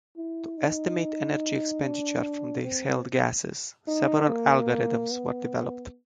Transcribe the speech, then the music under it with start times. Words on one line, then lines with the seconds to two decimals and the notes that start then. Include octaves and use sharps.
To estimate energy expenditure from the exhaled gases, several algorithms were developed.
0.17 E4
0.58 D#4
1.82 D4
2.64 C4
3.88 D#4
4.29 A#3
5.12 B3